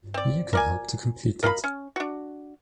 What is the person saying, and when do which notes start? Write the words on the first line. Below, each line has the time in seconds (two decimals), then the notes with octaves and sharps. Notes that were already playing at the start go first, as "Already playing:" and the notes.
You can help to complete it.
0.14 C4 D5
0.53 A#4 D5 G#5
1.43 A#4 D#5 F5 B5
1.64 C#4
1.96 D4 F#4